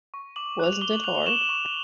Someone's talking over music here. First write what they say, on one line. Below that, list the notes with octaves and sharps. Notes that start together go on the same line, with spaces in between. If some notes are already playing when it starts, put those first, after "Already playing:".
Wasn't it hard?
C#6
D6 F#7
F#6 F7
F#7
D6 G7
F#7
F#6 F7
F7
C#6 E7
C#6